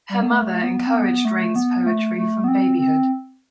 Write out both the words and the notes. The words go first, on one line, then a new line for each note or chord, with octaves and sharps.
Her mother encouraged Raine's poetry from babyhood.
G3
B3
A3
B3
C4
B3
A3
B3
A3
A3
B3
C4
C4